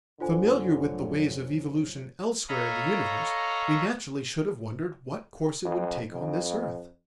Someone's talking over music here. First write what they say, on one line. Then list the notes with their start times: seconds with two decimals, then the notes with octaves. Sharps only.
Familiar with the ways of evolution elsewhere in the universe, we naturally should have wondered what course it would take on this earth.
0.20 F1 D3 F#3 F4 C5 G#5
2.49 A4 C#5 D#5 F5 A#5 B5
5.65 F2
6.11 F2